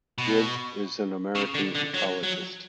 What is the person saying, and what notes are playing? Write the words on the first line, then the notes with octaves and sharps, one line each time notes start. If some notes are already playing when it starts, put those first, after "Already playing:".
With is an American ecologist.
B2
C#3
D3
D3
F#3
F#3